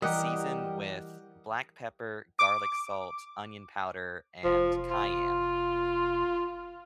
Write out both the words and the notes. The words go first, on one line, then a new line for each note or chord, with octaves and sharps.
Uh, season with black pepper, garlic salt, onion powder, and cayenne.
E3 G3 G4 A#4 D#5 F#5
D6
F1 F3
F4